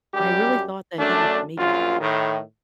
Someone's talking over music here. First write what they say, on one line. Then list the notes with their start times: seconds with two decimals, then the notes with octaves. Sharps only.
I really thought that he would maybe,
0.14 F#2 G3 G4
0.98 F#2 A3 D4
1.58 A#1 F#2 F4
2.00 A2 D#3